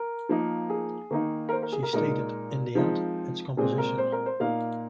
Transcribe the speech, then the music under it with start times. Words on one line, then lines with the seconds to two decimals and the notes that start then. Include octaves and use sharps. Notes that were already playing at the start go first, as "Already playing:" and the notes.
She stated, In the end, it's composition.
Already playing: A#4
0.29 F3 A#3 D#4
0.70 G#4
1.11 D#3 A#3 D#4
1.49 A#4
1.52 C5
1.63 A#4
1.72 G#4
1.83 A#4
1.93 A#2 G#3 D#4 A#4
2.75 F3 G#3 C4 D#4
3.57 A#2 G#3 C4 G#4
3.78 A#4
3.98 C5
4.12 A#4
4.26 C5
4.40 A#2 A#3 D#4 F5